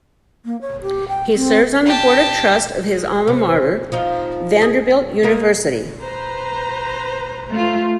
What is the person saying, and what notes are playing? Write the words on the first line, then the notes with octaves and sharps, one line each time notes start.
He serves on the board of trust of his alma mater, Vanderbilt University.
A#3
C#5
G4
G5
C4
G4 A5
G#3
C3
F3 D#4 F4
G#4
G#3 A#3 A#4
B4 C5 A#5
A3 F4